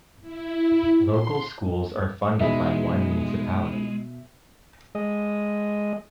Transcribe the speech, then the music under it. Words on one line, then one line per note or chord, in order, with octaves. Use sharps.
Local schools are funded by one municipality.
E4
C6
B2 G#3 D#4 G#4 E5 B5
G#3 D#5